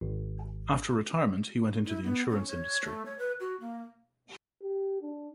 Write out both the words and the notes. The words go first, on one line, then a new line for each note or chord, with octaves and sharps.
After retirement, he went into the insurance industry.
G#1
E4
B3
C#4
C#5
A3
C#5
B4
F#4
A#3
G4
D4